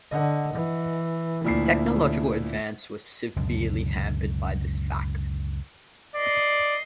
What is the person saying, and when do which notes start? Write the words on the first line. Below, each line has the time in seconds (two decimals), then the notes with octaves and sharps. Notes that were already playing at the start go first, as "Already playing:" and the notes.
Technological advance was severely hampered by this fact.
0.11 D3 D#5 F#5
0.53 E3
1.44 D2 A#2 E4 C7
3.36 C#2 F#2 B2 D3
6.16 D5 D#5 C7